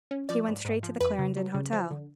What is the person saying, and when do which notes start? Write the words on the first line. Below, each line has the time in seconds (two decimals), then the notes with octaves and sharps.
He went straight to the Clarendon Hotel.
0.11 C#4
0.29 F3 D5
0.48 G#2
0.65 G#2
0.83 F3
1.00 F2 B4
1.19 C#3
1.37 F#3
1.54 C#3
1.73 F3
1.91 D3